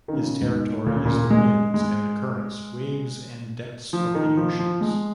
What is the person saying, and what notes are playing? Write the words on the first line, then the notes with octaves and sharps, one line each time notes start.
His territory is the winds and the currents, waves and depths of the oceans.
D#3
C#3
G#2
A#2
C#3
A#2
G#3
G#3
F3
D#3
F3
F3
G#3